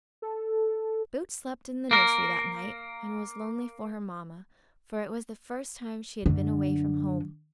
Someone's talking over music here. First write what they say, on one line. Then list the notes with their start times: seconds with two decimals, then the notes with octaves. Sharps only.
Boots slept in the nursery that night and was lonely for her Mamma, for it was the first time she had been away from home.
0.22 A4
1.91 A#3 A#4
6.26 F#2 D3